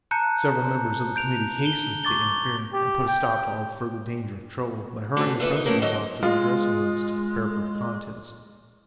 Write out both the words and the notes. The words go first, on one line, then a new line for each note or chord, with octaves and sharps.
Several members of the committee hastened to interfere, and put a stop to all further danger of trouble by hurrying the principals off to their dressing-rooms to prepare for the contest.
A5 A#5 F#6 G6 C#7
G6 D7 F7
G7
C#6 D6 A6 G7
G4
G5
A3 C4 C#4 F#4
F4 A4 B4 C5 E5
D#4 A#4
F#3 A3 A#3 C#4 A#4
F2 F#3 D#5 E5
G#3 F4